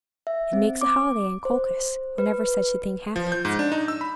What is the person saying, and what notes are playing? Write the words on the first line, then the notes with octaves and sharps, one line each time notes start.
It makes a holiday in Colchis whenever such a thing happens.
E5
C4
D6
C5
B4
F3
G6
G#2
D4
D#4
E6
B5